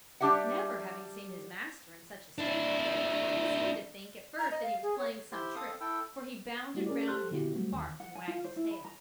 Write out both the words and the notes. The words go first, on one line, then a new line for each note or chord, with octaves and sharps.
Never having seen his master in such a state before he seemed to think at first that he was playing some trick, for he bounded round him, and barked, and wagged his tail.
G3 D4 G4 E5 F#5
D4 E4
A#5
D#5
F5
G#4
C#5
E4 G4 C5 C6
C4 A4 F5 D#6
E4 A4 G5 E6
G3 A3 E4 F#4 G4
C#4 G#4 A#4 C#5 D5
G4 A4 C5 C6 F6 F#6
A#2 D3 B3 E4 F#4 G4
F#3 G3 A3 C4 F#4
D#2 D#3
F#5
G#5
F4
C5
E4
B5
A#5